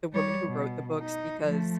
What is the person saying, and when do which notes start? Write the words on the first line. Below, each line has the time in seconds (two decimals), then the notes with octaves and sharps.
the woman who wrote the books, because
0.13 G3 C#5
0.45 B2
1.00 D#4
1.43 F3 A3